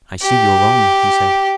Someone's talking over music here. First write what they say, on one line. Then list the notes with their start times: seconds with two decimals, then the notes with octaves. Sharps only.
"I see you're on," he said.
0.22 G4